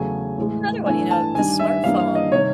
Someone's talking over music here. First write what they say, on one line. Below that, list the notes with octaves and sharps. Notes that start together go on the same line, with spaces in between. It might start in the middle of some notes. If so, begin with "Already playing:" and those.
another one, you know, the smartphone,
Already playing: E2 C#3 F#3 A3 G#5
A2 E3 G#3
G2 E3 A3 G#5
A5
G2 D#3 G3 G#5
E5
G2 E3 G3 A#3 F5
F5
D#5
C3 D#3 G3 C#5